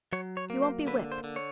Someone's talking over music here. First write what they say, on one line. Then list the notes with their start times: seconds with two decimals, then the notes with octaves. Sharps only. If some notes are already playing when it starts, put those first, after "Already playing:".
You won't be whipped.
0.13 F#3 C#5
0.37 C#5
0.50 A#3
0.62 C5
0.87 D3 B4
1.12 C5
1.24 D3
1.36 C#5